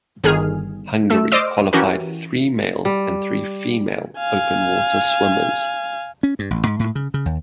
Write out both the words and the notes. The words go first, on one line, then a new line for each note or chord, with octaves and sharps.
Hungary qualified three male and three female open water swimmers.
G1 D#3 G#4 F6
A3 E6
C5 D5 D#5 D6 E6 F6
E3 C#4 F#4 G4 A#4
G3
F5 G#5
C#4
G2
A1
G#2
A2
C#3
C#3
D#2